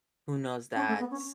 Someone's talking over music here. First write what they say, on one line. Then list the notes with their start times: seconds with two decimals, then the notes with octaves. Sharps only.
who knows that
0.76 C#4
0.88 A3
0.99 B3
1.11 C#4